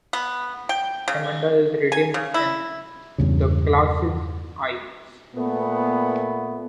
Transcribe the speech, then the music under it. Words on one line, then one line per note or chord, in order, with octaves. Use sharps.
Amanda is redeemed in the class's eyes.
B3
G5
C#3
G#5
C#3
E4
E2 G2 C#3
A#2 A3 B3